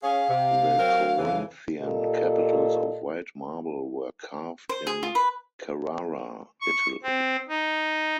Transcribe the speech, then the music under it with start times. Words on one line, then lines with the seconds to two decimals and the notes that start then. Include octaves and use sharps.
The Corinthian capitals of white marble were carved in Carrara, Italy.
0.03 C#4 G#4 F5
0.29 C3
0.78 F#3 C4 A#4
1.17 F2 C#3 E3
1.79 A#2 G4 A4 D#5
4.69 C5
4.87 G#4
5.03 F4
5.15 B4
6.61 C#6
7.03 C4
7.48 D#4